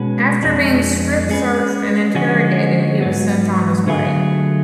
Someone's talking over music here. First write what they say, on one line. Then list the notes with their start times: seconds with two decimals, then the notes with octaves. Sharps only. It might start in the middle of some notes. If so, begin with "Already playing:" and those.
After being strip-searched and interrogated he was sent on his way.
Already playing: B2 G#3 C#4 F#4 B4
0.43 F2 F3 G#3 D4
1.29 G#3 C#4 G#4 B4
2.15 D3 F3 G#3 C#4 F#4
3.01 G#2 F#3 B3
3.86 D3 F#3 A3 F4 G#4